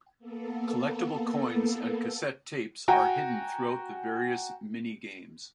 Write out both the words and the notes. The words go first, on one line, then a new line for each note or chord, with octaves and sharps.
Collectible coins and cassette tapes are hidden throughout the various minigames.
A#3 B3 A4
F#4 G5 G#5 A#5